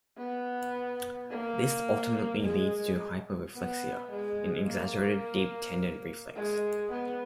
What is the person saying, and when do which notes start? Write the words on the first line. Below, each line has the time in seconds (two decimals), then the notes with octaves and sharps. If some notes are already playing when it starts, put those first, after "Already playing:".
This ultimately leads to hyperreflexia, an exaggerated deep tendon reflex.
0.18 B3
1.31 A#3
2.43 G#3
3.56 B3
4.11 G#3
4.68 A#3
6.36 G#3
6.92 B3